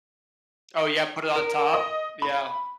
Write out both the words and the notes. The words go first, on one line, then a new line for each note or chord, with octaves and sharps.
Oh yeah, put it on top? Yeah.
A#4
D#5
B5